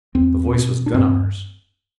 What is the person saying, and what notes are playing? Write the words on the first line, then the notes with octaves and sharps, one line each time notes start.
The voice was Gunnar's.
E2 C4
B2
D4
G2 C4